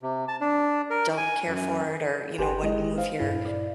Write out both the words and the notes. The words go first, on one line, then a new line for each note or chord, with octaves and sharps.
don't care for it or, you know, wouldn't move here
C3
A5
D4
A#4
G#5
F#2
G1 G4 B4 G5 G#5 C6
G#3 E4 D#5
C5 F5
G2 A#2 E4 F5
D5